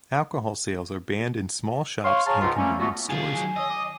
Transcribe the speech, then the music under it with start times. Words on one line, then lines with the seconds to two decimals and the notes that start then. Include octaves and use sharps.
Alcohol sales are banned in small shops and convenience stores.
2.04 C#5 F5 C6
2.26 G#4 C#5 F5 A5 A#5 F6
2.40 C#2 G#2 C#3 F4
2.57 G3 A3 A#3 C#4
2.78 A3 B3 F4 F#4
3.09 F4 G#4 G#5
3.33 D#3 F#3 G#5
3.56 C#5 D#5 D#6 E6
3.70 D6 D#6